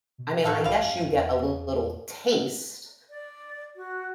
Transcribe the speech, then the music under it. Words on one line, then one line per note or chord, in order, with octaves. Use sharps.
I mean, I guess you get a little taste,
B2
A2 F#4 A4 F5
C2 G3 F5
F#2
E2
D5
F#4